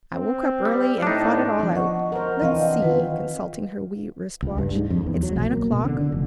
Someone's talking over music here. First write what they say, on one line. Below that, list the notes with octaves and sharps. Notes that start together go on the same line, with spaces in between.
I woke up early, and thought it all out. Let's see," consulting her wee wrist-watch, "it's nine o'clock.
C4
G3
A2 D4 D#4
F3 B3 D4
D#5 F#5 C#6
A#4 C5
E3 C4 D4 D#5 F5 F#5
D#3 F4 B4
C#2
G2
G#2
F2
E2
F#3
B1
A#3
B2
D3
D3
F1